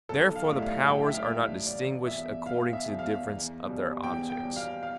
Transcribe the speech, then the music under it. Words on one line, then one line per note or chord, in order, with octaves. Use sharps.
Therefore the powers are not distinguished according to the difference of their objects.
B1 A4
F5
A2 G3
E5
F5
B1 G5
E5
F5
A2 G3
E1 D5
E2 B2 E5
E1 F5
E5
E2 B2
F5
E2
B2 G3
E2 G5
G5
B2 G3
F5
F5